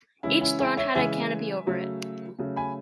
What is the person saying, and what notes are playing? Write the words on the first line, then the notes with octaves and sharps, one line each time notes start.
Each throne had a canopy over it.
C#3 E3 G#3 C#4 E4
C#4 E4
E4 G#4
C#5 E5
C#3 E3 G#3 E5 G#5
C#3 F#3 A3
C#3 F#3 A3
G#5 B5